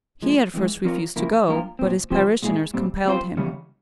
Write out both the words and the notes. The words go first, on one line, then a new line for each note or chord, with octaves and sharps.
He, at first, refused to go, but his parishioners compelled him.
A#2 F3 G#3
F2 E3 G#3
F3 C4 F4 A#4 C#5
C#3 F3 A#3 E4 A#4
G2 F3 A#3 F4 A#4
A#2 F3 C4
C3 F3 C4 G4 C5
A#2 G#3 E4 G#4
A#2 G3 C4
G3 C4 F4 C5
E2 C#3 G3 C#4